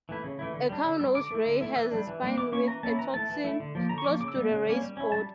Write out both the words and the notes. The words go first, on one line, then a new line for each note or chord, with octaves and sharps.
A cownose ray has a spine with a toxin, close to the ray's body.
E3 A3 E4
C#3
E3 A3 E4
D3
G3 D4
D3 E6
G3 D4 E6
D3 D6
A3 E4
D3
A3 E4
E3 E6
G3 A#3 D4
E3
G3 A#3 D4
E3 D6
A#3 C#4 E4 C#6
E3 A#5
A#3 C#4 E4 A5
E3 A#5
A3 E4 A5
E3
A3 E4
D3
F3 A#3
D3 A#5
C#6
F3 A#3 D6
C#3 D6
E6
G3 A#3
C#3
G3 A#3 C#4
G3
C#4 E4
G3 A5